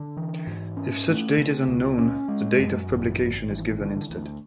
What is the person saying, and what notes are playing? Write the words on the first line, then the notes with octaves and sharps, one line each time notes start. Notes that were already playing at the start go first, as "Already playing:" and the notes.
If such date is unknown, the date of publication is given instead.
Already playing: D3
E3
G#2
C#4
A3
C#3
C#2
C#4
G#3
F#2
G#1
G#1
E3
D3
D2